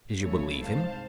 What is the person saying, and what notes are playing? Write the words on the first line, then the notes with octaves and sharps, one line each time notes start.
"Did you believe him?"
C#3 F#3 A3 E4 A4 C#5
C2 G#2 C3 C5 F5 A5